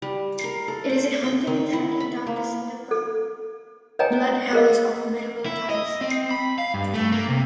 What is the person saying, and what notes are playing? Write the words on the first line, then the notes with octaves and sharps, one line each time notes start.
It is a hunting and tracking dog descended from bloodhounds of medieval times.
G3
A#4
A4
C5
G5
D#3
E4
B5
A#3
A4
B4 C#5 D#5 G5 G#5 A#5
G#4 A#4 D#5 F5
E4
D#5
C4
B5
F5
G2
A3
A#3
C3